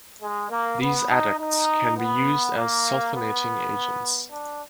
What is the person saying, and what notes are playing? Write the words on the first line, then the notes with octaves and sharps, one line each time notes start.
These adducts can be used as sulfonating agents.
G#3
A#3
B3
D#4
D#4
B3
A#3
B3
D4